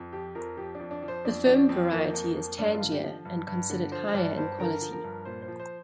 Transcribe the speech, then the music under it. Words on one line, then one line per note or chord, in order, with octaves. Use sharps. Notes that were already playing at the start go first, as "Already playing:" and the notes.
The firm variety is tangier and considered higher in quality.
Already playing: F2
F3 G4
F2 A#4
F3 G4
D4
F2
D4
F3
C5
F2 D4
F3 D4
F2 C4
F3 A#3
F2
F3
G2 D4
F4
D3
G4
F3
G2
G2
D3
F3 C5
G2 D5
G2 C5
D3 A#4
F3
A#4
G2
A#2 C5
C5
F3
C5